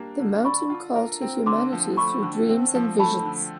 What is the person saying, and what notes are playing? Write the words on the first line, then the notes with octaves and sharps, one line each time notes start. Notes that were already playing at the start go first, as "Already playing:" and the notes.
The mountain called to humanity through dreams and visions.
Already playing: G3 A#3 D4
D3
D5 B5 C#6
F4
A#4
C4
D3 C6 D6
F3
A3 B5 C#6
D3
C4
F3
A3 A5 B5
D3